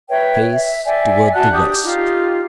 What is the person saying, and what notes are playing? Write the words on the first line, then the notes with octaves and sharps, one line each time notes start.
Face toward the West!
B4 C#5 E5 G5
E5
D5 E5 G5 G#5
F#4 F#5 A5 F#6
D4 G4 D#6 G6
D#4 F4 G4